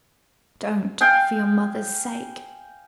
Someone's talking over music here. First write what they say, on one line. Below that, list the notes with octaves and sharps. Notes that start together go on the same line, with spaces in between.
Don't, for your mother's sake.'
F5 G5 G#5